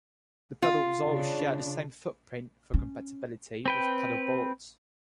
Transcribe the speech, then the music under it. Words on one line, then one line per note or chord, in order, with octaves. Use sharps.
The pedals all share the same 'footprint', for compatibility with pedal boards.
F4
C#3 D4
C#4
C4 B4 G5